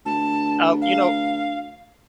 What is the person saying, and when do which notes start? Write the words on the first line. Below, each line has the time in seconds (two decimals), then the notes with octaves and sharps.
uh, you know
0.06 D2 A5
0.82 F5